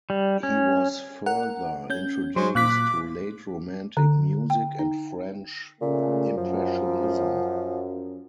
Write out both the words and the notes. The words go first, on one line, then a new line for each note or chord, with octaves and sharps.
He was further introduced to late-romantic music and French impressionism.
G3
C#4
A#4 F#5
C#4 G6
F#3 G#3 C5
A#2 D6 F#6 B6
D3
G5
D#4
A#2 C#3 A3
F#2 F3